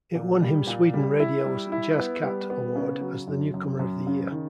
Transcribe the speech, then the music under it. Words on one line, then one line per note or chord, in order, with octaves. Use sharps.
It won him Sweden Radio's Jazz Cat award as the newcomer of the year.
A#2
G3
A#2
G3
E4
G3
E4
B3
G3
B3
C#3
F#3
F#2
F#2
F#2
C#3
D#3